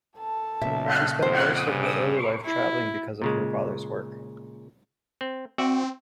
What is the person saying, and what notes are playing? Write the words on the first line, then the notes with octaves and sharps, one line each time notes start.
She spent most of her early life travelling because of her father's work.
A4 A5
B1 A#2 C#3 E5
F2 C5
G2 G#4
E4
A#2 C#3 G#3
C4
C4 F#4 D5 E5